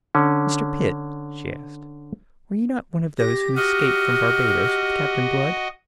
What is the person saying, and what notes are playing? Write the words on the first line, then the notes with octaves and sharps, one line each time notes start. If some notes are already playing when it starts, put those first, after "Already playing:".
"Mr. Pitt," she asked, "were you not one of those who escaped from Barbados with Captain Blood?"
D3 C#4
G4 A#6
F#4 D#5 F6